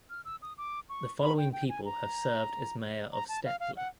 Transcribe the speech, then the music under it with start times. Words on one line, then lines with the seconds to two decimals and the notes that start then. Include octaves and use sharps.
The following people have served as mayor of Stettler.
0.10 F6
0.25 E6
0.42 D#6
0.58 D6
0.89 C#6
1.22 B5
1.38 G5
1.53 G5
1.69 G#5
1.85 A#5
3.13 A#5
3.29 A5
3.45 F5
3.60 F5
3.77 F#5